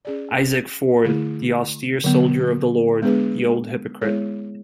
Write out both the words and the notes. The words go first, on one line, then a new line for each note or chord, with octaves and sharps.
Isaac Ford, the austere soldier of the Lord, the old hypocrite.
C#4 G#4 D5
D3 A3 E4 G#4
D3 F#3 B3
G#3 B3 D4 G#4 B4
G#3 B3 E4 G#4 C#5